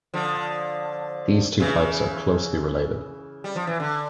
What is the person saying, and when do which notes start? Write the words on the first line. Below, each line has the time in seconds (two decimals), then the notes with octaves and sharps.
These two types are closely related.
0.14 D3 F3
1.60 C#3 E3
3.44 G3
3.56 F3
3.67 E3
3.80 D3